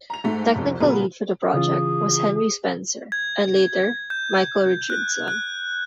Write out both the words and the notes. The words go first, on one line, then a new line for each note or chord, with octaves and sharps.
Technical lead for the project was Henry Spencer, and later Michael Richardson.
A#5 F7
G#2 A3
C2 F2
A#2 C#3 F#3 B3 G#4 A#4
C#3 E3 F4 G#4
G#6
G6
F#6
F#6